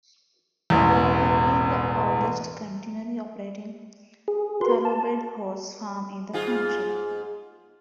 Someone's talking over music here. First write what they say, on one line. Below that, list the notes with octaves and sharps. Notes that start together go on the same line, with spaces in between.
Belair had been the oldest continually operating thoroughbred horse farm in the country.
E1 A1 E2
G#4
F#4 A#4 B4 C6
A5
G#2 F4 G#4